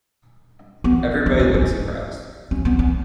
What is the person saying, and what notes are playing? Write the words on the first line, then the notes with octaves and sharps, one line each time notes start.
Everybody looked surprised.
B3
D#4
C#4
C#4
C#4
B3
C#4